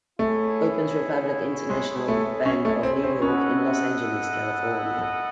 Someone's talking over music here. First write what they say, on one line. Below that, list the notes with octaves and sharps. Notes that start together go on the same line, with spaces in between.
Opens Republic International Bank of New York in Los Angeles, California.
A3 E4 G#4 C#5
G#3
A3
C#4
A3
C4
C4
C#4 E4 A4 D#5 F#5